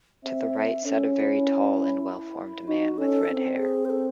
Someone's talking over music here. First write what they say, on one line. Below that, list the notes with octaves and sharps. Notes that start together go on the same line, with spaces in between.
To the right sat a very tall and well-formed man with red hair.
C4 E5
C#4 A4
E4
D#4 F#4
C#4 A4
C4
G#4
C5
A4